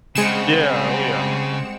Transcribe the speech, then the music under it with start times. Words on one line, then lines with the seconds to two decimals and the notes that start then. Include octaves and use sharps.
Yeah, oh, yeah.
0.15 C#3 G3 G#3 C4 F#4 C#7 E7